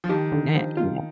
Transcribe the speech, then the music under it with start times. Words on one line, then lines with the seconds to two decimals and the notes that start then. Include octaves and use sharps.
na you know."
0.04 F3
0.09 D#3 G4
0.32 D3
0.55 F3
0.77 F4